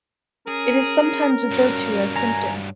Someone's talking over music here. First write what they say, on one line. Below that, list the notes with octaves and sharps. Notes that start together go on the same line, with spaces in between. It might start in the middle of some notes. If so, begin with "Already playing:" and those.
It is sometimes referred to as sinter.
C#4 G#4 A#4
G2 F#3
G#5 A#5